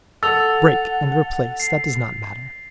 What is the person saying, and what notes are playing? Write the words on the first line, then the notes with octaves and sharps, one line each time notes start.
Break and replace; that does not matter.
A4 F#5 E6 A6 F7
C7